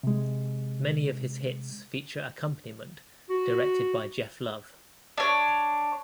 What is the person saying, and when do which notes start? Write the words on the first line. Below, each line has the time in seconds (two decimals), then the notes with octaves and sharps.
Many of his hits feature accompaniment directed by Geoff Love.
0.03 C3 G#3
3.30 F#4
5.18 D4 C#5